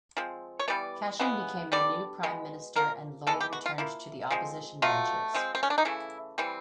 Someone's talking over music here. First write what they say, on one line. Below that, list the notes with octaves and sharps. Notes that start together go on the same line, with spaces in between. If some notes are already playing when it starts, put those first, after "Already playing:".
Cashin became the new Prime Minister and Lloyd returned to the opposition benches.
F3 G#3 C4
C#5
E3 G3 B3 D5
C#3 E3 G#3 B3
D3 G3 B3 D5
B2 G#3 B3
F3 A#3 A#4
E3 G#3 B3 A4
G4
F#4
F4
F3 A#3 E4
F3 G#3 C4
B2 F#3 A3 F4
F3 G#3 C4
C4
C#4
D4
D#4
C#3 E3 A3 E4
E3 G3 C4